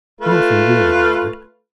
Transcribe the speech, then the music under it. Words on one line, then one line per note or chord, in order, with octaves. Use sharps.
Nothing really mattered.
A3 F4 B4